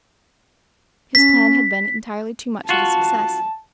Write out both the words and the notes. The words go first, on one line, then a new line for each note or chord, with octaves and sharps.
His plan had been entirely too much of a success.
C#4 B6
F4 F#4 A5